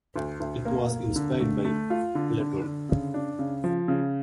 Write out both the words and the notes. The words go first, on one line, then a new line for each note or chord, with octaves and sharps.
It was inspired by Plato.
D2
D2
A#3
A#3
D3
A3
A3
F4
D3
D3
D3
C#3
D4
C#3
F3
C#3